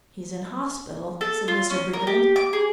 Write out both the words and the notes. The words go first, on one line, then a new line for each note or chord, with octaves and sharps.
"He's in hospital," said Mr. Briggerland.
A4
F4
C#4
A#4
G4
D6
G#4